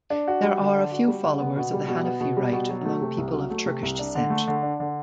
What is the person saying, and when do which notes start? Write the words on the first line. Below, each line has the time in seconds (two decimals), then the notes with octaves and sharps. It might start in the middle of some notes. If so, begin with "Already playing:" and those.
There are a few followers of the Hanafi rite among people of Turkish descent.
0.10 D4
0.28 F#4
0.44 G3
0.60 D3
0.76 D4
0.91 F#4
1.08 G3
1.24 D3
1.40 B3
1.57 B2
1.73 G3
1.88 B2
2.04 B3
2.21 B2
2.37 G3
2.53 B2
2.69 F#3
2.85 A3
3.01 C3
3.18 C2
3.34 F#3
3.50 A3
3.66 C3
3.82 C2
3.99 D4
4.15 D3
4.30 A3
4.48 D3
4.63 D4
4.80 D3